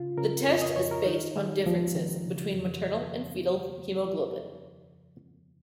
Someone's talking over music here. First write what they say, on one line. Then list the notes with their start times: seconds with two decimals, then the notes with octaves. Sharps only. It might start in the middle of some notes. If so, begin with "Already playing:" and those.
The test is based on differences between maternal and fetal hemoglobin.
Already playing: C#3 F4
0.17 C#3 A#4
0.46 F2 C#5
0.62 D#5
0.76 F2 C#5
0.91 A#4
1.06 D#3 D#4
1.36 D#3 G#3
1.65 D#2 F3
1.95 D#3
2.26 C#3
2.54 F2